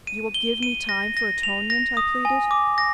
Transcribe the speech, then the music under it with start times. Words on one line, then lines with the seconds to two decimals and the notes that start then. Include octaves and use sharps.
"You will give me time for atonement?" I pleaded.
0.07 D#7
0.34 G7
0.63 D#7
0.89 A#6
1.17 A#6
1.43 F7
1.70 A#6
1.97 D#6
2.25 G#5
2.51 D6
2.78 A#6